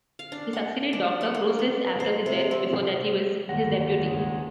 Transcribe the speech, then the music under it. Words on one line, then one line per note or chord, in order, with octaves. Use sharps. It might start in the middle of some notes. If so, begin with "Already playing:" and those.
He succeeded Doctor Cruces after his death; before that he was his deputy.
F5
D4
F#5
D4
F#5
A#3
B3
C5
C3
C4
G1 D#2 F#5 A#6
C#2 G2 G#3